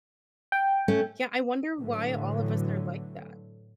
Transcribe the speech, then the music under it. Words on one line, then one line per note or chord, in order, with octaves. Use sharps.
Yeah, I wonder why all of us are like that.
G5
A3 C#4
A2 D3 E3 F#3